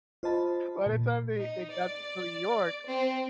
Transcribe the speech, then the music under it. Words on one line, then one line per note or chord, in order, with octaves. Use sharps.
By the time they they got to New York
F4 C5 D#5 A5 B5
A#2
D#4
D5
C4